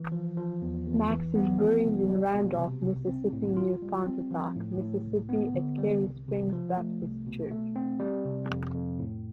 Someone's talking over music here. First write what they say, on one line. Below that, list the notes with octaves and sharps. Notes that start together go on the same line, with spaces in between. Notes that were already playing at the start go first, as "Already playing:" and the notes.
Max is buried in Randolph, Mississippi, near Pontotoc, Mississippi at Carey Springs Baptist Church.
Already playing: E3
F3
F3
E2
E2
E3
B3
F3
C2
G3
B2
C3
C2
C4
A2
F4
G3
C4
F3
A2
A2
C2
B3
D3
G3
C2
C3
F3
A3
C2
B2
A3
C4
G3
C3
F2
F2
A2